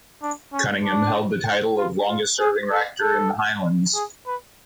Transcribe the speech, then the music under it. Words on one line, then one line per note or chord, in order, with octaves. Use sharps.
Cunningham held the title of longest serving Rector in the Highlands.
D4
C#4
D4
F4
F4
G#4
A4
A4
G#4
B4